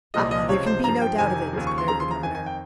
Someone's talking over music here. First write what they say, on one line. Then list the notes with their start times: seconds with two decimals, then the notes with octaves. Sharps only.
"Ah! there can be no doubt of it," declared the governor.
0.14 C2 A#2 F3 D#5
0.31 D#5
0.49 C#2 C3 F3 C#5
0.66 C5
0.84 G2 F3 A#5
1.02 G5
1.18 F2 C3 D#3 G#5
1.53 D#2 C#3 F3
1.67 C#6
1.78 C6
1.88 D#2 C#3 F3 A#5
2.00 C6
2.11 A#5
2.23 F2 D#3 G#5
2.35 G#5
2.46 G5